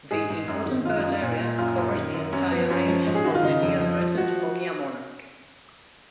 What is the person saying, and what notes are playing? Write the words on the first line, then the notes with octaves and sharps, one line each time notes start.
The Important Bird Area covers the entire range of the near threatened Ogea Monarch.
G#2 G#4
G#2
F#2
D#3
F#2 F4
D#4
F#2
F4
A#2
A#2
F#2 F4
F#2
D#3
F#2
F#2 C#4
F3 B3
F#2 C#4
F3
G#2
G#4
D#3 F#4
F4
C#3 D#4
F2
F3
F3
F3 F#4